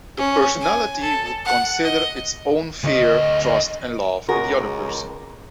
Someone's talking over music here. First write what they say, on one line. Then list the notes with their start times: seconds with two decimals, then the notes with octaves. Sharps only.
The personality would consider its own fear, trust, and love in the other person.
0.18 C#4
0.61 G#5
1.01 A4
1.45 F#5
1.83 D#5
2.84 D2 D#5
4.29 C#2 F#4 G#4 A#4